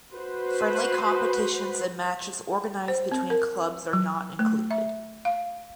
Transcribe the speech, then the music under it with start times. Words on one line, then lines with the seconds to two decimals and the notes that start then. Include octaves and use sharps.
Friendly competitions and matches organized between clubs are not included.
0.14 F#4 B4 C5
2.88 C5
3.12 C4
3.30 A#4
3.93 F#3
4.39 A3
4.71 E5
5.25 F5